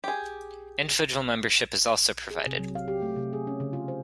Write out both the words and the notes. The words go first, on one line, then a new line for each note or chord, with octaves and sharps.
Individual membership is also provided.
G4 G#4
G#4
C3
F#3
F5
G4
A3
C3
G#4
C#4
C#3
F4
C5